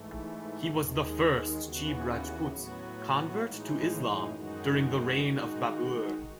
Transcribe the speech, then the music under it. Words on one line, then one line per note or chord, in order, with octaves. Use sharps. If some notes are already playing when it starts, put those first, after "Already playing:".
He was the first Chib Rajput convert to Islam during the reign of Babur.
Already playing: G#2 E3 A3
D#2 D#3 G#3
D#2 C#3 E3 B3 F#4
A2 F#3 B3 F#4
A2 E3 G#3 D#4
F#2 D#3 G#3 D#4 F#4
D#3 G#3 D#4 F#4